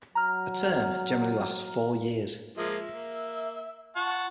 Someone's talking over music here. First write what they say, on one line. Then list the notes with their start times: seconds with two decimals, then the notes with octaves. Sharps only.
A term generally lasts four years.
0.15 F#3 A#5 F6
2.58 F3 G#3 A#3 E5
2.88 A#3
3.96 F4 F#5 A5 C#6